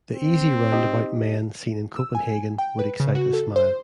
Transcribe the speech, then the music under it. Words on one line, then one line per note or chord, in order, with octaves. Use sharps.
The easy roundabout men seen in Copenhagen would excite a smile.
C4
D#4 G4 D#5
E6
G#5
G5
B4
C#3
F#4
A4
C5